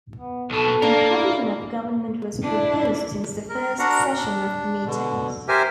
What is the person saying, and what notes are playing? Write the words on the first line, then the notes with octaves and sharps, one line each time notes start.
The composition of government was proposed since the first session of the meetings.
B3
B1 B2 A4
A#3 D4 A#4
E4
D4 E4
A#4
D4 F#4 A#4 F#5 A#5
D4
B2 D3
G4 A#4 C5 E5 G#5